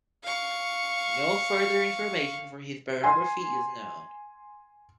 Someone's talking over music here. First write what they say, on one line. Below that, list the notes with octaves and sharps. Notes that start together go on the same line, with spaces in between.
No further information for his biography is known.
F5 C#6
G#5 C6